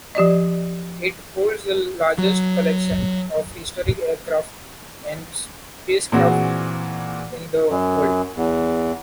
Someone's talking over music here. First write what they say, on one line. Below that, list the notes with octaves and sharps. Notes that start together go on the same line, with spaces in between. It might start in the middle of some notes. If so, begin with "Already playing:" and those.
It holds the largest collection of historic aircraft and spacecraft in the world.
F3 G4 D5 D#5
F#3
A#2 E3 C4 F#4 G#4
F#2
E2